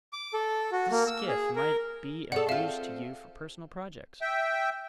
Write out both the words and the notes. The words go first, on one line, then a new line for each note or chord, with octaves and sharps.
"This skiff might be of use to you for personal projects."
D6
A4
F#4
A#3
E6
G#4
A#4
G#4 A4 C#5 D5 F#5
C4 F4 E5 F5 E7
E5 G5